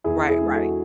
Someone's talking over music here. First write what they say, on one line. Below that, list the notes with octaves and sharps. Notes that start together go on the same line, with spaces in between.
Right, right.
E2 E4 G#4
E4 G#4
D3 G#3
F#4 A4